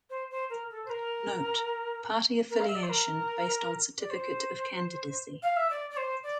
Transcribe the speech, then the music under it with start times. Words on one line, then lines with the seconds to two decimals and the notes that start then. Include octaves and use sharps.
Note: Party affiliation based on Certificate of Candidacy.
0.10 C5
0.31 C5
0.50 A#4
0.70 A4
0.85 C5
0.90 A#4
2.50 A#4
2.60 F5
2.68 E5
2.76 D5
2.83 C5
2.90 A#4
4.00 D5
4.10 C5
5.43 F5
5.56 E5
5.70 D5
5.91 D5
5.97 C5
6.24 D5